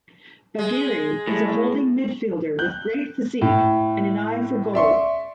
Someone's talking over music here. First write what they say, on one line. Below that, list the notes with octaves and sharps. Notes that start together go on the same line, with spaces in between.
Bagheri is a holding midfielder with great physique and an eye for goal.
G#3
A2
F#6 G6
A2
D5 E5 C6 C#6